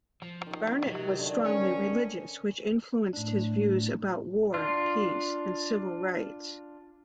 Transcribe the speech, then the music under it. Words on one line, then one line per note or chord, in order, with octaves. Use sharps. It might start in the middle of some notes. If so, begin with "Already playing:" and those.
Barnet was strongly religious, which influenced his views about war, peace and civil rights.
F3
D#3 G#4
C3 F#3
D3 D#3
C#4 C#5
A2 D4
D4 F4